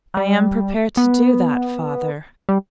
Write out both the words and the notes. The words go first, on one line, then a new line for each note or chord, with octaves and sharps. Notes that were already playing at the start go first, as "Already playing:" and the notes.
'I am prepared to do that, father.'
G3
B3
G3